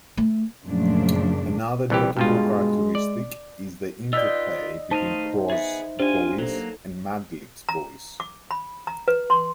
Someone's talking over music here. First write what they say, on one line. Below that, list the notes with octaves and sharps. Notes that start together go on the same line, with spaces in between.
Another notable characteristic is the interplay between Quas' voice and Madlib's voice.
A3
F#2 A#2 C#3 F3 A3 D4
C2 E3 G4
G2 B2 G#3 F4
D5
F4 B4 D5 D#5 G5 E6
A3 D#4 C5 D#5 F5 A5
B3 G#4 E5
D4 F4 G4 C5 G#5
F#3 A#3 A4
A#5
D6
B5
A#5
B4
C6